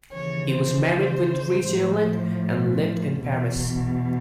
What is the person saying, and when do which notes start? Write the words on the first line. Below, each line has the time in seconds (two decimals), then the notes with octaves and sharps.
He was married with three children and lived in Paris.
0.11 D#2 C#3 E3 C#5
0.50 C5
1.64 A2 F3
3.16 E2 B2